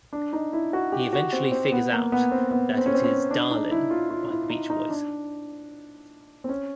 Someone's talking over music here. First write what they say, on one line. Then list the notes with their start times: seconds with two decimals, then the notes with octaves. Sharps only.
He eventually figures out that it is "Darlin'" by The Beach Boys.
0.13 D4
0.33 D#4
0.53 E4
0.73 F#4
0.92 G4
1.13 F#4
1.33 C4
1.52 C4
1.72 B3
1.93 A#3
2.12 B3
2.32 C4
2.51 B3
2.78 C4
2.86 C#4
2.94 C4
3.04 C#4
3.31 D4
3.51 D#4
3.71 E4
3.91 F4
4.10 F4
4.30 E4
4.50 D#4
4.70 D#4
4.90 D4
6.44 C4
6.49 C#4